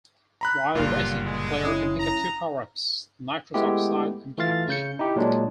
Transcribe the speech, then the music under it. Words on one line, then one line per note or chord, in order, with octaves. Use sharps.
While racing, the player can pick up two power-ups: nitrous oxide and cash.
A#5 B5 F#6
F#1 G2 A#2 D3 F4
G#3
C#4 E4 D#6
A#5
G#3 A3 B3 E4 G4
E3 A3 F4 F5 A6
C#3 G6 C#7
D#4 E4 G4
A#2 F#3 G#3 D4